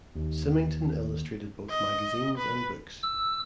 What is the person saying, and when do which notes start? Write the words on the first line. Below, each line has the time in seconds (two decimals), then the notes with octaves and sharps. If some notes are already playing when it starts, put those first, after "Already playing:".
Symington illustrated both magazines and books.
0.15 D#2
1.70 D#5
2.37 B4
3.02 E6